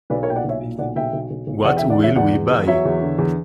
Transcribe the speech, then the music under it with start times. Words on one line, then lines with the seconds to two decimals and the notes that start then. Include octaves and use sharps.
What will we buy?
0.10 B1 B4 D5
0.23 A#4 C#5
0.27 A#2 G5
0.36 D5 F#5
0.44 B1 C#5 E5
0.62 A#2
0.79 B1 D5 F#5
0.96 B1 E5 G5
1.13 B1
1.30 B1
1.47 B1
1.64 E2 D5 F#5
1.77 E5 G5
1.81 D3
1.90 D5 F#5
1.99 E2 C#5 E5
2.16 E2 D5 F#5
2.33 E2
2.50 E2
2.67 F#3 C#5 E5
2.85 E2
3.02 D3
3.18 E2